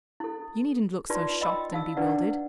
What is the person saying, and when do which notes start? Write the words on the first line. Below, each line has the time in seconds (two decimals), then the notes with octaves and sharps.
You needn't look so shocked and bewildered.
0.20 E4 A4
1.10 D#4 F4 B4 D5 C6
1.41 D#5 G5 B5 E6
1.72 D#4 F5 E6
1.97 D4 E4 B4 D5 F#5